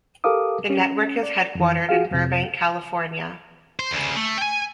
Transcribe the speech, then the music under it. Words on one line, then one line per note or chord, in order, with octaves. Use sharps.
The network is headquartered in Burbank, California.
G4 A4 A#4 F5 D6 D#6
C#4
D5
F2 E3
F4 F#4 G#4 F5
F2 C3
C5
D2 C#3
A3
G5 G#5